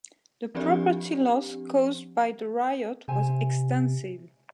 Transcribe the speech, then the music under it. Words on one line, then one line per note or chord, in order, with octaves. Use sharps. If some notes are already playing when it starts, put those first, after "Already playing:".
The property loss caused by the riot was extensive.
F3 C4 D4 G4 D5
C3 C5 E5 G#5